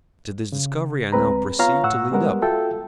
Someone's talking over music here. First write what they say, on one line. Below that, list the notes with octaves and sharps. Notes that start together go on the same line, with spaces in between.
To this discovery I now proceed to lead up.
C#3
D2 G#3 C4 B4 A#5
B3 F4 C#5 F5 A#5
A2 F#5 C#6 E6
G3 G#3 B3 A#4 F#5
F4 F#4 A4 E5 G5